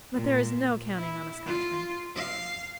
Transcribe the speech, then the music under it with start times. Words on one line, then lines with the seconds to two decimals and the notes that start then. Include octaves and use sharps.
But there is no counting on a Scotchman.
0.14 A#2
0.94 E4
1.46 F4
2.15 F5